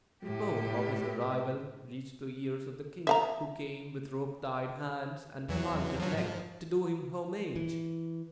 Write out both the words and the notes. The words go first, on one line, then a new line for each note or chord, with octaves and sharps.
Report of his arrival reached the ears of the king, who came with rope-tied hands and haltered neck to do him homage.
A2 G4
E5 F5 A#5
E2 E3 F#3
F3 F#3
G#2 F3
E3